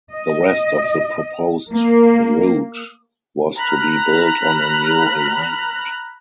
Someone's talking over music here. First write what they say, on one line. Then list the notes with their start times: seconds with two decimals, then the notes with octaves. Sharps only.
The rest of the proposed route was to be built on a new alignment.
0.12 D#5
1.73 A#3
3.57 A#5 B5 F6 F#6